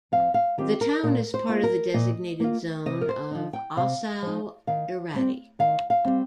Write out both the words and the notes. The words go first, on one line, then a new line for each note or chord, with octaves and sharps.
The town is part of the designated zone of Ossau-iraty.
F2 F5
F5
D#3 C4 F4 G4
A#4
A#2 A#4
C5
A#3 F4
A#4
A#2 D#5
A#3 F4
C3 D#5
A#4
C5
F3 D#4
G5
C3 F5
F3 D#4
D#3 F5
G3 C4
D#3 F5
F5
G3 C4